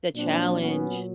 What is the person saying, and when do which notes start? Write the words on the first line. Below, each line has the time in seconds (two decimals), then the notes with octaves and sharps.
The challenge.
0.16 A#2 F#3 C4 D4
0.59 B3 C#4